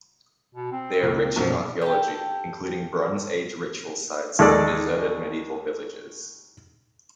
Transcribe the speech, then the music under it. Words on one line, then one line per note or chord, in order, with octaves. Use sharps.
They are rich in archaeology, including Bronze Age ritual sites and deserted medieval villages.
B2
C4
C#2 A#3
B1 F#2 F3
G4 A4 A5
D#2 G#3 A4 D5